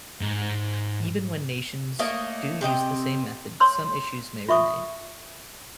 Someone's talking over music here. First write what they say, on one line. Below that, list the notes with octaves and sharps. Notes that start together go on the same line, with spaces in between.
Even when nations do use the same method, some issues may remain.
G#2
A3 A#3 C#5 D#5
C3 C4 D#5 G5
C#5 C6 E6
F4 E5 C#6 D#6